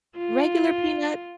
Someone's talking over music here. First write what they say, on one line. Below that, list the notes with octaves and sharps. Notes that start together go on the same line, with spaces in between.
Regular peanuts
F4